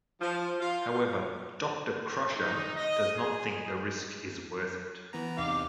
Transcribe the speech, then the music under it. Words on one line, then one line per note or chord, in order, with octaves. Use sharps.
However Doctor Crusher does not think the risk is worth it.
F3
F4
D#4
D#5
G#4
E3 B3 A#5
E2 C3 D#4 F5 D6